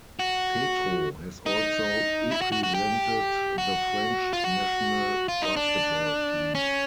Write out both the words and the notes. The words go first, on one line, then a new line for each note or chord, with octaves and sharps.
Petro has also represented the French national basketball team.
F#4
D#4
E4
F#4
F#4
F#4
G4
F#4
F4
F#4
F4
D#4
D4
C#4